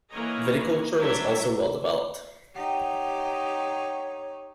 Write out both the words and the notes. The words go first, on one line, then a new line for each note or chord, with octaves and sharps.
Viticulture was also well-developed.
E3 A#3 B4 C#5 D#5 A#5
F#3 G3 D4 C#5 E5
D#4 G4 C#5 F#5 G5